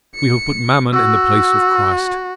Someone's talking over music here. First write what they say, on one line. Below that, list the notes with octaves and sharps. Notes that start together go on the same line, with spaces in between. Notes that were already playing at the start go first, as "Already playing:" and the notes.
We have put mammon in the place of Christ.
C#7
F#4 E6